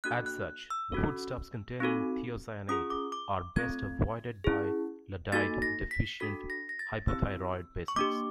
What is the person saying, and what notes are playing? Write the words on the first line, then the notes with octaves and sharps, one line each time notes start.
As such, foodstuffs containing thiocyanate are best avoided by Iodide deficient hypothyroid patients.
A#3 D4 F#4 A4 F#6
F#6
E6
C#4 F#4 A4
C4 D#4 F#4 A4
C#4 F4 G#4 D#6
D6
D6
A3 C4 F4 A4 G#6
C#4 E4 G#4
A#3 D#4 F#4 A4 A6
A#6
B6
D4 F#4 A4 B6
A#6
A#6
A6
C4 E4 G4 E6
C#6
A#3 D4 G4 D6